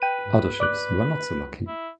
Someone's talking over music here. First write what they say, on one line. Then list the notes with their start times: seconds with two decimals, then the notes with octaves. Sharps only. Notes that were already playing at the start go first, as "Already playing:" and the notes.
Other ships were not so lucky.
0.02 B4 G5 D#7
0.60 D5 D6 F#6
1.68 E4